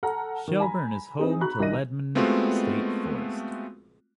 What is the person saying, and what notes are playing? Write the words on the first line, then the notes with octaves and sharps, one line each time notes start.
Shelburne is home to Leadmine State Forest.
A4 F#5 A5 A#5 F6
D#3
G#5 A#5 B5
C4 D#4 G#4
F#4 A#5 B5 C#6 F#6
C2 D#3 D4 D#5 A#6 D#7
G#3 A3 B3 C4 F4 F#4